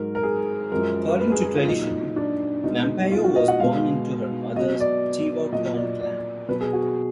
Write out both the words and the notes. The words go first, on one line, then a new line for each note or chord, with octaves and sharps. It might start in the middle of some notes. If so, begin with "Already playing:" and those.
According to tradition, Nampeyo was born into her mother's Tewa Corn clan.
Already playing: G#2 F#3 A#4
A#4
G#4
F#2 F3 G#3 A#4
B4
G#4
G#4
F4
A#2 F#3 D#4
D4
B2 G#3 D#4
F4
F#4
D#5
F#5
B2 G#3 F5
B2 F#3 D#5
D5
A#2 F#3 D#5
D5
D5
B2 F#3 B4
G#4
F#4